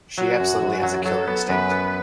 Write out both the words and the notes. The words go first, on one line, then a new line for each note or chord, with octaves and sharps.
She absolutely has a killer instinct.
F#3 F#4
F#2
F#2
F#3
F#3 A4
B3
F#2 B4
B3